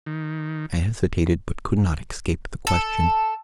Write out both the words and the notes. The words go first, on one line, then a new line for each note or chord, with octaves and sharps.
I hesitated but could not escape the question.
D#3
A4